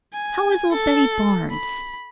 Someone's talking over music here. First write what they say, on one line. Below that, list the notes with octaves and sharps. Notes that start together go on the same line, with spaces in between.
'How is old Betty Barnes?'
G#5
A4
B5